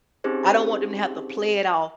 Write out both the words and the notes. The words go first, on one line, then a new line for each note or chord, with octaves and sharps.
I don't want them to have to play it off
C4 C#4 D#4 G4 G#4 C5